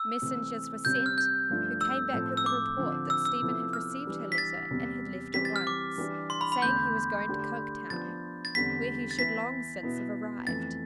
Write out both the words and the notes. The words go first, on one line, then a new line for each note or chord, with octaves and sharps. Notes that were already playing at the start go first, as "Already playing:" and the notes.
Messengers were sent, who came back with the report that Stephen had received her letter and had left at once, saying he was going to Coketown, where he should long since have arrived.
Already playing: E6
C3 E3 A3 C4
C3 G3 C4 G6
F6
G6
G2 F3 A3 D4 F4
E6
A2 F3 C4 F4 A4
E6
D6
D3 F3 C4
E6
E6
C3 F3 B3 E4 A4
F6
E3 G3 D4
B6
A6
E2 C3 G3
E3 G3 C4 G4 B6
A6
F6
D6
E3 G3 D4 G4
C6
B5
B5
E2 D3 A3 G6
D3 A3 D4 G4
F3 B3 D4 A6
A6
E2 D3 G3 C4 B6
A6
E3 B3 E4 B6
B2 B3 E4
F2 E3 A3 A6